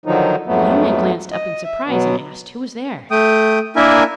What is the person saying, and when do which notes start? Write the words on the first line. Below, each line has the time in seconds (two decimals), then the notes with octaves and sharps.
The young man glanced up in surprise, and asked who was there.
0.06 D3 D#3 F3 F#3 D#4
0.46 F2 G#2 F#3 A3 B3
1.32 D#5
1.64 E5
1.87 B2 F#3 B3
3.11 A3 G5 D#6
3.76 A#3 D4 E4 A#4 E5 G#5